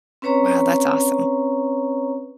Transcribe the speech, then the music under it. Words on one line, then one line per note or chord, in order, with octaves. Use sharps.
Wow, that's awesome.
C4 C#4 B4 C#5 A#5 C#6